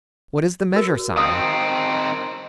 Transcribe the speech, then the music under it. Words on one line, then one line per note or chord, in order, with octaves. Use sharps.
"What is the measure-sign?"
F#4 A#4
D#3 C4 F5 D#6